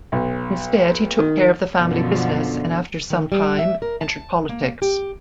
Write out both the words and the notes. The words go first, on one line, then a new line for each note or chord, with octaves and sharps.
Instead, he took care of the family business and after some time, entered politics.
B1
D#3
F#2 B2 D3 F3
D#3
G3
E5
A#4
A5
A#3
G4